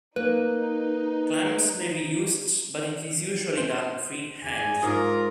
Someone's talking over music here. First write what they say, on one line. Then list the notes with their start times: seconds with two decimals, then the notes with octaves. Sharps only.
Clamps may be used but it is usually done freehand.
0.16 A#3 D#4 B4
3.57 C5
4.42 G#4 D5 G#5
4.82 G#2 F4 A#4 D#5